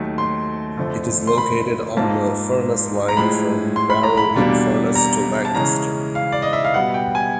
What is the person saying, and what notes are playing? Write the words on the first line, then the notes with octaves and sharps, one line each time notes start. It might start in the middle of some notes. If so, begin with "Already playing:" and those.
It is located on the Furness Line from Barrow-in-Furness to Lancaster.
Already playing: D#2 D#3 F#3 A3
C6
F2 D3 F3 A3
C6
B5
G#2 F3 A#3 D#4 A5
A#5
A2 F3 G#3 B5
C6
B5
A#5
B5
E2 B2 G3 A#3 D4
A#5
A5
C#3 E3 G#3 C#4 A#5
F5
D5
D#5
E5
F5
B2 G3 B3 F#5
G5
G#5